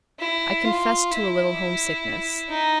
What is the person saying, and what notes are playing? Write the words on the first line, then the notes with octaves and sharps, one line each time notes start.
I confessed to a little homesickness.
E4
F4
E4
D#4